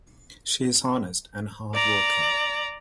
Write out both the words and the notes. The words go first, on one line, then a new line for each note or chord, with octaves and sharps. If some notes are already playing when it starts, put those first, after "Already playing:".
She is honest and hardworking.
D5 A#5